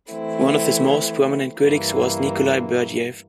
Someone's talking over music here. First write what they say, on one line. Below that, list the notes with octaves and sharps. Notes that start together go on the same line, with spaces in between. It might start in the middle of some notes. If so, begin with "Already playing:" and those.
One of his most prominent critics was Nikolai Berdyaev.
E3 A3 C4 E4
G2 E3 A#3